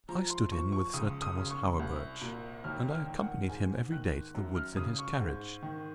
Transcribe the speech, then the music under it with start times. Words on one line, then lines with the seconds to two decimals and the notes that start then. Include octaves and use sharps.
I stood in with Sir Thomas Hawerburch, and I accompanied him every day to the woods in his carriage.
0.09 F3 A#5
0.30 C6
0.52 F3 C#6
0.72 C#6
0.94 C#2 D#6
1.22 D#6
1.37 C#3
1.50 C#6
1.79 C2
2.22 A#2
2.64 D#2 F6
2.92 F6
3.06 D#3
3.21 F#5
3.49 G#2 G#5
3.92 D#3 F#6
4.35 F#2
4.55 F6
4.77 C#3 D#6
4.99 C#6
5.19 G#2
5.62 D#3